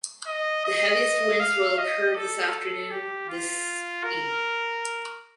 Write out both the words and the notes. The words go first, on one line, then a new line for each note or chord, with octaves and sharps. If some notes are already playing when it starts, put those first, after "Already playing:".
The heaviest winds will occur this afternoon, this evening.
D#5
D#5
F5
D#5
A4
G4
F4
A#4